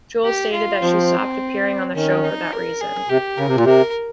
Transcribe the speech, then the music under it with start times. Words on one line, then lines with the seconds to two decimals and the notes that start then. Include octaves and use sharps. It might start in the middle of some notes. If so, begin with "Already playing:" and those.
Jewell stated that she stopped appearing on the show for that reason.
0.25 G4
0.53 F4
0.82 F3 C4
1.95 D#3 C#4
2.25 D#4
2.52 A#4
2.81 G#4
3.09 C3 G4
3.38 C#3 A#4
3.47 C3
3.56 A#2
3.64 C3 A#4